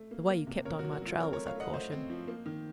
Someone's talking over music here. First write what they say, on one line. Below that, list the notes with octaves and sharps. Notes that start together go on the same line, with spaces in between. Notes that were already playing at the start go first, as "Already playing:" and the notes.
"The way you kept on my trail was a caution."
Already playing: A3
A#3
A#3
C3
C3 A#4 C#5
F#3 F#4 A#4
F#4
F#3 F4
C4 A#4 C#5
A3 A#4 C#5
C#5 F5
A3 D#5 F#5
A3 C5 D#5
C4
F3
A#3
D#3